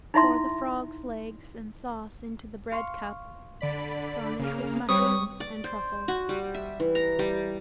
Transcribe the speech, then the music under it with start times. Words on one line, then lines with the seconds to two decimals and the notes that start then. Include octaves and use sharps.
Pour the frogs legs and sauce into the bread cup, garnish with mushrooms and truffles.
0.14 D#4 E4 E5 C6
2.72 F5 C6 C#6
3.61 D3 D5 B5
4.39 C#3 A#3 F6
4.89 G3 C4 B4 C#5 C#6 D#6
5.40 D5
5.64 C5
6.08 F#4
6.29 G3
6.54 E5
6.80 E3
6.95 A#5
7.19 G3